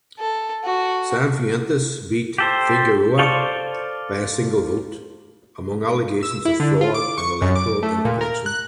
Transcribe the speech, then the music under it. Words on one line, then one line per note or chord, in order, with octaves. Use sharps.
Sanfuentes beat Figueroa by a single vote, among allegations of fraud and electoral intervention.
A4
F#4
G4 A4 C5
F4 A4 C5 D5 C#6
E6
E4
D3
F4
D6
C#6
F#2
D6
A3
A#2
A#4
F#6